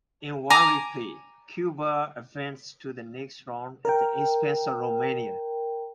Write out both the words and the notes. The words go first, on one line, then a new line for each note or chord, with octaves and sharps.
In one replay, Cuba advanced to the next round at the expense of Romania.
G#5 A#5 D6
A#4 G5